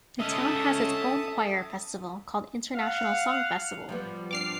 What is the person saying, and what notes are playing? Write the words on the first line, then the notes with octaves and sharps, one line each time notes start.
The town has its own choir festival called international song festival.
C#4 A4 D#5 E5 A5 D#6
F5 F#5
F3 G3 B3
C4 D4 D6 F6 C7